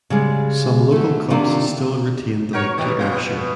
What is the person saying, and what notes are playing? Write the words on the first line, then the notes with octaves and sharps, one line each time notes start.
Some local cups still retained the link to Ayrshire.
C#3 G3 G#3
D3 A3
C3 D#3 A#3 D4 F4
F#4 A#4 C#5
B2 E3 G4
B2 B3 F4
B2